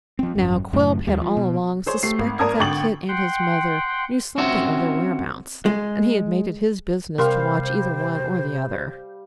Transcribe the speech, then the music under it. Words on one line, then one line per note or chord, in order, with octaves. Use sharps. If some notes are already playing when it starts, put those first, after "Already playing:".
Now Quilp had all along suspected that Kit and his mother knew something of their whereabouts, and he had made it his business to watch either one or the other.
F3 C4
G#1 F#2
F#2 A2 C#3
D#2 G3
F3
B2
G#4 C5 C#5
A3 G4 C7
G#1
G#1 A#4 D5 A5 D#6 G#6
G#1 D3 G5 C#6 A6 F#7
F#5 G5 C6
C4 C#4 F#4 E5
G#3
C3 G3 A#4 C5 F5 C6